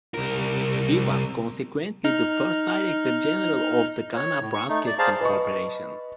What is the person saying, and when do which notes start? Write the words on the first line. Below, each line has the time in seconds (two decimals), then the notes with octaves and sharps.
He was consequently the first Director General of the Ghana Broadcasting Corporation.
0.14 C2 A#4
2.04 D#4 F6
4.16 C#5
4.41 A2
4.54 C#6
4.69 A3 D#4
4.86 D5
4.99 G#4 C5 D5 F5 A5 A#5
5.21 B4 D#5 C#6